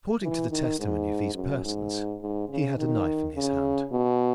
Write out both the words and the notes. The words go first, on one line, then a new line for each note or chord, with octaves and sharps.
According to the testimony of these persons he had a knife in his hand.
E3
D#3
G#2
F#2
G#2
G#2
C#3
D#3
C#3
B2